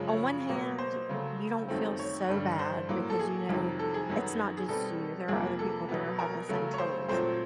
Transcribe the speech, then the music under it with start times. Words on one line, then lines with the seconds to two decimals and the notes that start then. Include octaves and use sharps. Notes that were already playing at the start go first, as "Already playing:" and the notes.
on one hand, you don't feel so bad because you know it's not just you, there are other people that are having the same troubles.
Already playing: F#2 C#3 F3 G#3
0.08 C#5
0.49 B2 F#3 A#3
0.78 C5
1.09 C#3 F#3 A3
1.68 F#2 D#3 F#3 A3 C4
1.99 C#5
2.28 G2 D3 G3
2.59 C5
2.88 A2 F#3 A#3
3.10 A4
3.19 G#4
3.49 F2 C3 D#3 F#3
3.79 A4
3.94 G#4
4.09 F#2 D#3 F#3 B3
4.57 G#4
4.68 B2 G3 C4 A4
5.28 F2 C3 F3 A#3 G#4
5.59 A4
5.88 B2 F#3 B3
6.19 A#4
6.49 C#3 F#3 A3
6.74 C#5
6.78 C5
7.08 A#2 F#3 A3 C4 C5